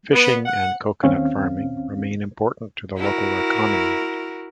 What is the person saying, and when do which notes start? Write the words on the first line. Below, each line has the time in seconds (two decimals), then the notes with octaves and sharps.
Fishing and coconut farming remain important to the local economy.
0.13 B3
0.45 F#5
1.03 D#2 C4 C#4 F5
2.97 E4 F#4 A#4